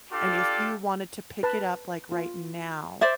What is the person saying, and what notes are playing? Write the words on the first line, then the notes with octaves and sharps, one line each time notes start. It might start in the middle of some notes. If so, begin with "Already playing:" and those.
and if you wanted to pick it up, like, right now
D4 F4 G4 A4 D5 F5
B4 A5
F4
C5 D5 E5